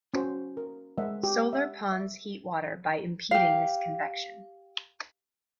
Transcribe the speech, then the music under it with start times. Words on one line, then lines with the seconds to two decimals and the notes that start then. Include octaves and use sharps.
Solar ponds heat water by impeding this convection.
0.14 C#4 F#4 C5
0.57 A#4
0.98 G#3 A#4 C5 D#5 E5 F#5
1.23 G4
1.53 E5 F#5
1.92 E5
3.31 G4 F5